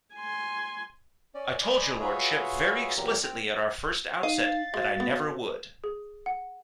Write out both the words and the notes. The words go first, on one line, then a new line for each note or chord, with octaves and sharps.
I told your Lordship very explicitly at our first outset, that I never would.
G#5 C6
C#4 D5
C5 D5 D#5 G#5 B5 D6
F4 F#4 G#4 B4 C#5 E5
E2 A#2 E3 F#3 G4 A#4
C4
D#4 D#5 F5 D#7
A6
G#3 F#4
B3
G#4
F#5